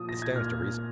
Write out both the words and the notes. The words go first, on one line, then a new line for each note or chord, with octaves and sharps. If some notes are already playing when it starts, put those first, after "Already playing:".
It stands to reason.
Already playing: A#2 F3 D#6
A#6
G#6
A#2 F6